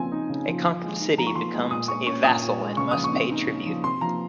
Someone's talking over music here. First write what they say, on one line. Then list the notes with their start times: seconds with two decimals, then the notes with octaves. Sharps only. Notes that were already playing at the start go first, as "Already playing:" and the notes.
A conquered city becomes a vassal and must pay tribute.
Already playing: C#3 F3 C4 G#5
0.12 D#4
0.30 C#3
0.47 F3
0.65 F3
0.82 G#3
1.00 D#4
1.18 F3 A#5
1.27 C#6
1.36 F3 C6
1.53 G#3
1.71 A#2 D#6
1.88 G#3 C#6
2.06 C#4 C#6
2.24 A#2 D#6
2.42 A#2
2.59 G#3
2.77 C#3 C#6
2.91 F3 D#6
3.04 C#6
3.13 C4
3.31 D#4
3.48 C#3
3.66 F3
3.84 C3 C6
4.01 F3 A#5